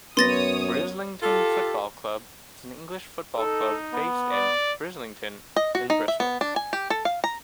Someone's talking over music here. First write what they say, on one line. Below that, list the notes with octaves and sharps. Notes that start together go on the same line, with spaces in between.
Brislington Football Club is an English football club based in Brislington, in Bristol.
F#2 B3 C#5 C6 D#6 A6 A#6
F4 G4 A4
D#4 A4
B3
D5
D#5
F#4
D#4
E5
B3
D4
G#5
G4
A4
F5
A#5